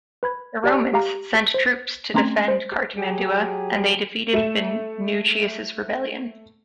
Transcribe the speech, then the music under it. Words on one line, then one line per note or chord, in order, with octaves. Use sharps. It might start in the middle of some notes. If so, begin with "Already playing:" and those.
The Romans sent troops to defend Cartimandua, and they defeated Venutius' rebellion.
B4 B5 G#6
G4 D5 A5
G4 F5 A#5
C5
A3 C4 C#4 A#5 C6 G#6
C5
F#3 G4 G#4
A3 E7